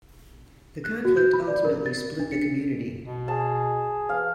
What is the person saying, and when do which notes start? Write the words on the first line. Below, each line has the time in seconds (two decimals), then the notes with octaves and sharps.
The conflict ultimately split the community.
0.84 F#6
1.05 F#4
1.17 G6
1.33 B5
1.47 D5
1.65 A#4
1.86 A6
2.19 D4
2.32 C#7
3.05 B2
3.28 G#4 A5
4.09 E3 F5